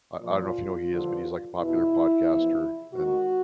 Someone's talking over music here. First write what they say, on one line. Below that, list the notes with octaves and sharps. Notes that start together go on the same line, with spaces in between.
I I don't know if you know who he is, but he's, like, a popular podcaster, and
A#2 F3 F4
G2 D3 F3
E2 B2 E4
E2 C3 F3
G#2 D#3 F#4